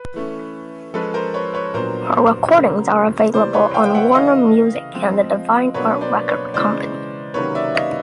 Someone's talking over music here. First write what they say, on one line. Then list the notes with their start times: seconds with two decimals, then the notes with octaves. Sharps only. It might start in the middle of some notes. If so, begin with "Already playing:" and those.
Her recordings are available on Warner Music and the Divine Art Record Company.
Already playing: B4
0.14 E3 A3 C#4
0.94 F3 G#3 C#4 A4 B4
1.14 A#4 C5
1.34 B4 C#5
1.54 B4 C#5
1.74 A#2 F#3 B3 D4 A#4 C5
2.54 C#3 F#3 A#3
3.34 C3 E3 G3 C5 D5
3.54 B4 C#5
3.74 F5 G5
3.85 G5
3.94 E5 F#5
4.15 C#3 E3 A3 D#5 F5
4.94 F3 G#3 C4
5.74 B2 F#3 A#3 D4 B4 C#5
6.01 C5 D5
6.28 B4 C#5
6.54 C#3 E3 G#3 C#4 C5 D5
7.34 C3 D#3 F#3 A#3 C#4 B4 C#5
7.55 D5 E5
7.75 D#5 F5